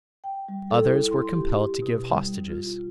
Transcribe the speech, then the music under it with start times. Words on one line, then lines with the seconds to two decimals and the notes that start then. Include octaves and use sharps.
Others were compelled to give hostages.
0.24 G5
0.48 G3
0.70 A4
0.85 E4
1.11 C6
1.33 G4
1.54 G4
1.82 B2
2.10 G3
2.48 F4